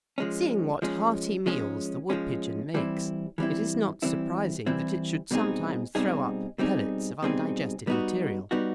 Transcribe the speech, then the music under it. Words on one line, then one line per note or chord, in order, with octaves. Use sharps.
Seeing what hearty meals the woodpigeon makes, it is not surprising that it should sometimes throw up pellets of undigested material.
F3 G#3 C#4
F3 G#3 C#4
F3 G#3 C#4
F3 G#3 C#4
E3 G3 C4 E4
E3 G3 C4 E4
E3 G3 C4 E4
E3 G3 C4 E4
B2 G3 C4 D#4 G#4
B2 G3 C4 D#4 G#4
B2 G3 C4 D#4 G#4
B2 G3 C4 D#4 G#4
G3 B3 D#4 F#4
G3 B3 D#4 F#4